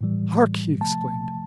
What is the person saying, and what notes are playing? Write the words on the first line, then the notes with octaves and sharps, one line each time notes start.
"Hark!" he exclaimed.
A2 E3 G3
C3 F3 A3 A5